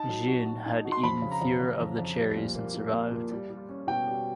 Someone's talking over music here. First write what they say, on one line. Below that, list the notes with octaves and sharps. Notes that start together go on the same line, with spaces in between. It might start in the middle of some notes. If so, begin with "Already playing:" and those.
Jeanne had eaten fewer of the cherries and survived.
Already playing: D#4 A5
F#3
F#4
F#4
D#4
F#4
C6
F2 B5
C#3
A#5
F2
F2
F2
F2
G3
A#2
A#3
A#2
A#3
A#2
G3
G3
C#4
B2 G5
G3